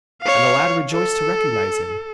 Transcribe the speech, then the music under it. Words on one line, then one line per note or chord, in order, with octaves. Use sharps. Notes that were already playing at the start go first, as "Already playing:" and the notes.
And the lad rejoiced to recognise him.
C#5 F5
A4